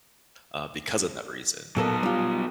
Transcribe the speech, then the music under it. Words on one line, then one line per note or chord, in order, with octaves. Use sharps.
uh, because of that reason,
A#2 F#3 B3 A4 A#4
G3 F4